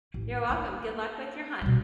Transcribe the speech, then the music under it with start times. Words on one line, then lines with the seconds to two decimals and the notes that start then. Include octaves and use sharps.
You're welcome. Good luck with your hunt.
0.14 A1
0.50 A#3
1.62 B2 G3